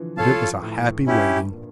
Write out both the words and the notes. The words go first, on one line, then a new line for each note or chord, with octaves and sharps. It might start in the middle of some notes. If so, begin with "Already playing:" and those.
But it was a happy waiting.
Already playing: D3 E3 F3
F3 F4 A4 C#5 F5 A5
A2
G2 C#4 E4 G4
A#2